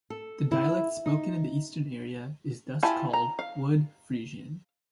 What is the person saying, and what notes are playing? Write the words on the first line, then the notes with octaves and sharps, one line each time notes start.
The dialect spoken in the eastern area is thus called Wood Frisian.
A4
E4
D#4
E4 F4 G4 G#5 A5
A#5
F5